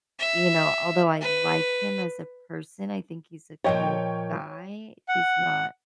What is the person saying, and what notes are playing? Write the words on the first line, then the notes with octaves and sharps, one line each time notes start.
you know, although I like him as a person, I think he's a cool guy, he's not
E5
B4
A#2 F3 C#5 D#5 G5
F#5